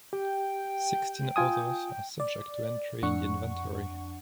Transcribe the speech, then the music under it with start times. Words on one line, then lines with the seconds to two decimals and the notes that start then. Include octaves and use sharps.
Sixteen others are subject to entry in the inventory.
0.13 G4 G5
1.36 F4 G#5 D#6
2.20 D5
3.02 F2 D4 F#5 C#6